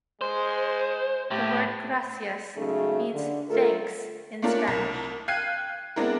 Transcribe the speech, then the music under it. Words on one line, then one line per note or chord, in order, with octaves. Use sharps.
The word "gracias" means "thanks" in Spanish.
G#3 C5
A2 G4
C#3 F#3 G#3 A3 C#4 D#4
D3
A3 F4 A4 A#4
A3 A#3 C#4 D4 F4 A#4
C2 A#4 A5
F5 G5 F#6 G#6 C7 D#7
G#3 B3 C4 D4 E4 A#4